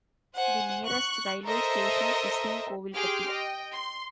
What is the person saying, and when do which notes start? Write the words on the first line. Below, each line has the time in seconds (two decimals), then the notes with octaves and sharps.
The nearest railway station is in Kovilpatti.
0.35 C5 F#5 G#5
0.85 C#6 F#6
1.44 A4 A#4 C5 D#5 E5
2.94 G4 G#4 G5 C6 D6 F6
3.30 D#5 G5
3.72 C6